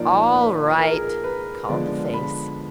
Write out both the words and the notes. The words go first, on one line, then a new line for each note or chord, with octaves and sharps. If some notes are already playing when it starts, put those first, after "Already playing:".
"All right," called the face.
Already playing: A#2 F3 A#3 D#4 D5
B4
A#4
G#4
A#4
B4
D3 F3 G#3 B3 D5
B5